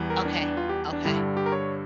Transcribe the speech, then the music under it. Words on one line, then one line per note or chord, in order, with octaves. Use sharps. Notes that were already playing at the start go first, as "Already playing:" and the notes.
Okay. Okay.
Already playing: E2 E3 G3
A#4
D4
D4
F4
G4
D4
G2 D3 G3 E4
G4
A#4
C#5